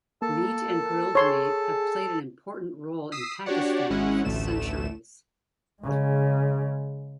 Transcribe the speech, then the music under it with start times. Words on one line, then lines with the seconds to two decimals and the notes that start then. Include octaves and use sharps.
Meat and grilled meat have played an important role in Pakistan for centuries.
0.22 A#3 A4 A5
1.15 G#4 C#5 C6
3.12 D#6 E6 B6 C7
3.46 D4 F#4 G4 C#5 D5 F#5
3.90 G#1 G#3 C#4 E4 F#5
4.25 A1 D2 A3 E7
5.83 C#3 G#3